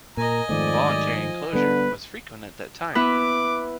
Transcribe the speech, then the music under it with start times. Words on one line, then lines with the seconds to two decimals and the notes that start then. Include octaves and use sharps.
Voluntary enclosure was frequent at that time.
0.17 A#2 A#4 D#5 G#5 A#5
0.49 F2 G#2 D#3 A3 D5
0.83 F#3
1.13 F3
1.53 D3 G3 B3 B4
2.95 B3 E4 B4 D6